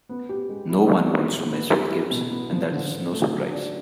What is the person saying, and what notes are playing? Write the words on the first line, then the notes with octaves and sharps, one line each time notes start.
No one wants to mess with Gibbs, and that is no surprise.
B3
G4
G#3
E4
F#3
D#3
D#3
B3
G3
E4
B2
B3
F3
D3
D3
A3
F#3
D4